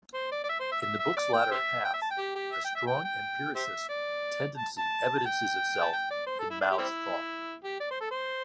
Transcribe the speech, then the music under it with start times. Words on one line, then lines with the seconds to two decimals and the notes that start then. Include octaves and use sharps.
In the book's latter half, a strong empiricist tendency evidences itself in Mao's thought.
0.14 C5
0.32 D5
0.44 D5
0.49 E5
0.59 C5
0.72 E5
0.82 E5
0.99 E5
1.17 D5
1.33 G5
1.51 G4 C5 E5
1.84 G5
1.93 E5
2.02 A5
2.11 G5
2.18 G4
2.35 G4
2.52 E5
2.64 G5
2.75 E5
2.87 G5
3.04 G5
3.55 G4 C5 E5
3.89 D5
4.57 A5
4.78 A5
5.18 A5
5.25 G5
5.82 A5
5.93 G5
6.10 D5
6.26 C5
6.39 A4
6.50 E4
6.60 D4
6.71 G4
6.78 G3 C4 E4
7.64 G4
7.80 D5
7.90 C5
8.00 A4
8.11 C5